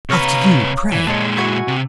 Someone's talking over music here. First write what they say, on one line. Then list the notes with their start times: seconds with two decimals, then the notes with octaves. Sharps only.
"After you, pray!"
0.09 C3 B4 C#5 F5 A#5
0.92 E3
1.07 A#2 G#3 C#5 D#5 A5
1.37 E4 F#4 G#5
1.68 C3